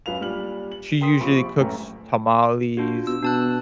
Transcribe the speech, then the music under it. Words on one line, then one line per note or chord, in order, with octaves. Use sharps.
She usually cooks tamales,
F#2 F#3 B4 F5 F7
A#2 G3 D4 F6 F#7
F#7
A#4 G5 C6 D#6 B6
A#1 C3 F3 B5 C#6 D7
A1 F#2 A3 G5 A#5
D4 F4 F#4
B2 E6
B2 D4 A5 F#6